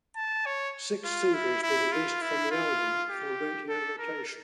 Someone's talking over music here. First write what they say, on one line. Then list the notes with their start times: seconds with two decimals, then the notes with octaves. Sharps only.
Six singles were released from the album for radio rotation.
0.16 A5
0.46 C#5
1.05 F4
1.34 E4
1.63 E4
1.92 F4
2.22 E4
2.51 F4
3.11 G4
3.69 A4
3.99 A#4